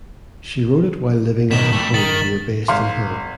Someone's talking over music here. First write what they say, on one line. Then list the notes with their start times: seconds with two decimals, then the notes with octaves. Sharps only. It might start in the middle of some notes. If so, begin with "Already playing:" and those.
She wrote it while living at her home near Bayston Hill.
1.51 B2 D#3 B6 E7 F#7
1.72 G3 A3
1.94 D#3 A6 B6 F#7
2.68 G#1 F5 C6